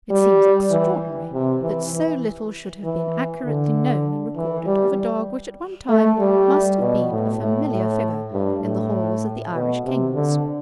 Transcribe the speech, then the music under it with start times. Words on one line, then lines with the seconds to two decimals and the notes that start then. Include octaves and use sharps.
It seems extraordinary that so little should have been accurately known and recorded of a dog which at one time must have been a familiar figure in the halls of the Irish kings.
0.11 G3
0.71 E3
1.33 C3
1.62 E3
1.94 E3
2.84 E3
3.46 D3
4.37 E3
4.67 G3
5.89 A3
6.19 G3
6.80 B2
7.11 A2
7.40 A2
7.71 A2
8.32 G2
8.63 A2
9.54 B2
9.85 C3
10.15 D3